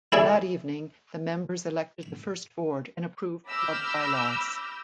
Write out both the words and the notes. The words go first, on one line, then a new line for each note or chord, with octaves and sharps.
That evening the members elected the first board and approved club bylaws.
E4 G#4 A4 D5
B5 D6 E6 F6 G6 A#6